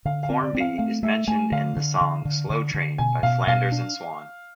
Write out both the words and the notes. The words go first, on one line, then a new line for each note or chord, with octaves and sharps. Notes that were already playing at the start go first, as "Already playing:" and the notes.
Formby is mentioned in the song "Slow Train" by Flanders and Swann.
D3 F5
F5
C4
D5
C4
F5
A3 F5
A3 E5
A3 G#5
D3 F5
D3
D3
D3
D3
D3
B2 G#5
B2 F5
B2 F5
D4